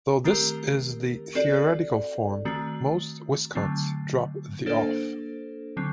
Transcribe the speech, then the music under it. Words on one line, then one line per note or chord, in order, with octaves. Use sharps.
Though this is the theoretical form, most Viscounts drop the "of".
D#3 A3 C4 G4 A#4
C4 F#4 A4 D5
D#3 A3 C4 F#4
D3 F#3 A3 C4
A#3 D4 A4 C5
D3 F#3 C4